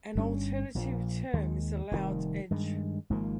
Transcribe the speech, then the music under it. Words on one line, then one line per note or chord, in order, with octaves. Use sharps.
An alternative term is allowed edge.
G1 G2 G3 C#4
A#1 A#2 F3
D#2 D#3 G#3
F1 F2 D#3 G3
G2 D#3 G#3
G#1 G#2 F3 A#3